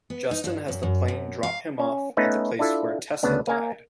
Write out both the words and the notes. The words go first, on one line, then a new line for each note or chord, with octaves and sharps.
Justin has the plane drop him off at the place where Tessa died.
B3
D#4
G2
F#2
F#2
F#2
F5
C#4
A3 B3 C#4 D#4 B4
D4 E4 F4 A4
D2 C#3 B3 D4
A#3 G#5 A#5